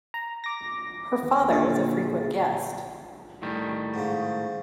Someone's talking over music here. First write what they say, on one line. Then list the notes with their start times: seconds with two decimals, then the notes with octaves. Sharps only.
Her father was a frequent guest.
0.14 A#5
0.44 D6 A#6
1.23 D#2
1.50 A#2 D3 G#4 A6
3.42 A2 D#3 G3
3.94 G#2 C#3